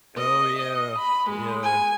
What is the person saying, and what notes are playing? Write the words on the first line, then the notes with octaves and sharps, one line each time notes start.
Oh, yeah, yeah.
D#5
D#5
B5
G#3
G#5